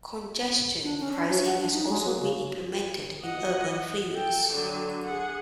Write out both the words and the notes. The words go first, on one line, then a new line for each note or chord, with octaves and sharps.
Congestion pricing has also been implemented in urban freeways.
D4
C#4
D4
F#3
F#5
D4
D#4
G#3
F#3
C#3
D#5 F#5
A4 G5
D3 F#3
G#4 F#5